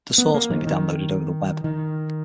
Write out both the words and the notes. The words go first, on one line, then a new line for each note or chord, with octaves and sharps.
The source may be downloaded over the web.
B3
A#3
D#3
D#3
D#3